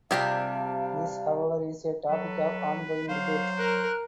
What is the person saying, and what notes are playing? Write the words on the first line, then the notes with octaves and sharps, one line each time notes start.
This however is a topic of ongoing debate.
C3 G3 D4 F4 G4 G#4 F5
F#3 A4 B4
F#3 C5 F5
A#4 F#6